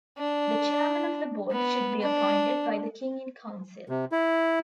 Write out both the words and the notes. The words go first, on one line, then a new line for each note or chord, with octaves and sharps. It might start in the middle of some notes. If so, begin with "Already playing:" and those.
The Chairman of the board should be appointed by the King in Council.
D4
B3
D4
C3
E4